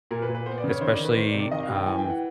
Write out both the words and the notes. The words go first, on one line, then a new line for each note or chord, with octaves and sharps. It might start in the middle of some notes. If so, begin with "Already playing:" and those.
especially, um,
A#2 A#4
B4
A#2
B4
B3 C5
D5
C#3
C#5
D#3 C5
D5
D#3
B4
D#3 C5
D5
C3
D5
D#3 D#5
F5
G3
G5
E3 G#5
G5
E3
F#5